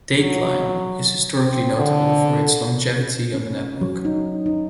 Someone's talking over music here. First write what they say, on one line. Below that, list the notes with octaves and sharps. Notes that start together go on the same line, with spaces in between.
"Dateline" is historically notable for its longevity on the network.
F#3
C4
D3
C#4
F#3
D#4
D#4